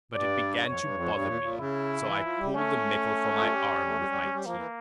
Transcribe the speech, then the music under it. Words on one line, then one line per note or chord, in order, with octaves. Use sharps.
But it began to bother me, so I pulled the metal from my arm with my teeth.
G2 D5
F2 C#5
G2
F2
G2
A2
A#2
A#2
C#3 E4
E3
F3
G3
A3 C#4
F3
G3
A3
G3
G3
G3
G3
F3 A#3
E3